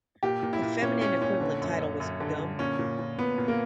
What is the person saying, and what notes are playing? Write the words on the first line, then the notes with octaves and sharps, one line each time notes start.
The feminine equivalent title was Begum.
A#2 G4
A#2
E4
A#2
A#2 C#4
A#2 C#4
A#2 C#4
D3
F#2
F#2
F#2
D3
D3
A#2 C#4
A#2
A#2
A#2 B3
A#2
A#3